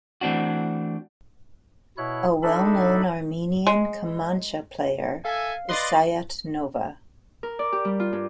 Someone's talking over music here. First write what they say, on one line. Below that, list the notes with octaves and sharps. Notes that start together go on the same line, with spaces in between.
A well known Armenian kamancha player is Sayat-Nova.
E3 A3 C4 D4 F#4
B2 E4 C#5 F#6
D4 D#4 A4 E5 B5
G#3
A4 E5 F5 G#5
B4 D5 D#5 C6 A6
A#4
D5
G4
G3
F4
G2